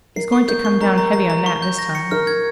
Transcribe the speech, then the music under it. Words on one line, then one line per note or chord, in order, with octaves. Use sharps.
He's going to come down heavy on Nat this time.
A#4 C7
C#6
A#4 G6
C#6
A#4 A#5
A#5
A#5
A#5
C#6
G6
A#6
C#7
A#4 F6
G#6